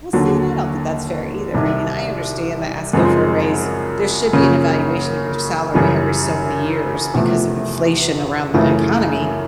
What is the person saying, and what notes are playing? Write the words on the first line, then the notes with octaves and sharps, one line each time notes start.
Well see, and I don't think that's fair either, I mean, I understand that asking for a raise there should be an evaluation of your salary every, so many years because of inflation around the economy.
D#2 D3 F#3
C2 C3 D#3
F#2 C#3 F3 G#3 C4
F#2 C#3 F3 A#3 C#4
F#2 C#3 E3 G3
E2 C3 F3 A3
F#2 C#3 E3 A3